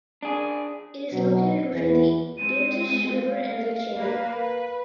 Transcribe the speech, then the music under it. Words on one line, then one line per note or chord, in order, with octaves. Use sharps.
It is located between the Irtysh River and Lake Chany.
D4 G#4
B2 F#3
E2 E3
G#3 C4 D#7
F5
A#3 B4
B4